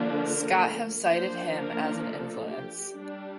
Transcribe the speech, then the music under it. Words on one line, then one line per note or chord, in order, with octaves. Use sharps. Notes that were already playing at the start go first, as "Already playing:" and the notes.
Scott have cited him as an influence.
Already playing: D3 F3 A#3 D4
A#4
F3 A#3 D4 C5
A#4
A4
G4
G3 D4